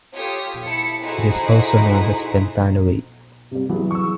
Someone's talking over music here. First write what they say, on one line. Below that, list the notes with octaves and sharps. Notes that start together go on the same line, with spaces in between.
It is also known as pentanoate.
F4 G4 A4 C#5 D#6 B6
E4 A5 C#7
D#4 E4 F#4 G#4 A4 C5
C3 G3
E3 F#3 G3 B3 E4 G#4
C#6 E6